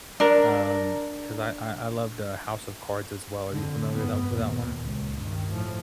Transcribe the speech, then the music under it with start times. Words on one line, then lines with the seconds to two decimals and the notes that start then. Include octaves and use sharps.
um, 'cause I I I loved the House of Cards as well, are you familiar with that with that one?
0.20 D4 A#4
3.51 F2 D3
3.93 G2 B3
4.30 D#2 A#2
4.81 C#2
5.17 G2 D#3
5.51 A2 F3